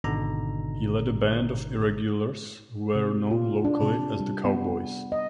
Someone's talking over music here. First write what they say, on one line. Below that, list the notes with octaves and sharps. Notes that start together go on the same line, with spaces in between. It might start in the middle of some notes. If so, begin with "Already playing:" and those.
He led a band of irregulars who were known locally as the 'cowboys'.
G#1 B2 D3 D#4 A#5
C3
F4
D4
C3
G3
B3
D#5